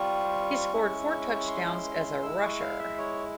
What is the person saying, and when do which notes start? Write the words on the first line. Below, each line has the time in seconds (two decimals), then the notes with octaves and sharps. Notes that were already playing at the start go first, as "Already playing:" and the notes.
He scored four touchdowns as a rusher.
Already playing: G3 C4 F4 C#6
0.73 G#3 C#4 E4
1.48 C6
2.23 G#3 E4 E6
2.41 C#6
2.60 F5
2.79 E5
2.98 C#5